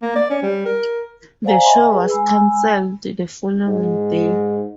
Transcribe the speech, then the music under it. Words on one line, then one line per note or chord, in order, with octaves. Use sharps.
The show was canceled the following day.
A#3
D5
C#4
G3
A#4
C5 D5 F5 F#5 G#5 A#5
D#5 E5 G5 G#5 B5 C6
G#4 B4
G#3 G#5 B5 E6
G#2